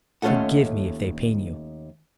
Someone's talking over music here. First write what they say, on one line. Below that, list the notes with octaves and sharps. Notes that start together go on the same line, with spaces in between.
Forgive me, if they pain you.
D#2 A3 C#4 F4 A4 F#5